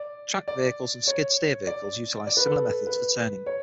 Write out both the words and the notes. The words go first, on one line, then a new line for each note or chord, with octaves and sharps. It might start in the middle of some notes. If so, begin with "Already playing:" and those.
Tracked vehicles and skid steer vehicles utilize similar methods for turning.
Already playing: D5
D5
C#5
D5
D5
B4
A4
B4
C#5